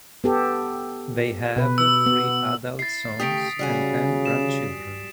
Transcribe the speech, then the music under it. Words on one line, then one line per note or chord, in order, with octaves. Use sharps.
They have three adult sons and ten grandchildren.
B3 G4 A4
B2 B4
E6
B3
E4 A6 C7
C#3 A3 G4 D#6 B6 D7
C#3 G3 F#4 G#5
E7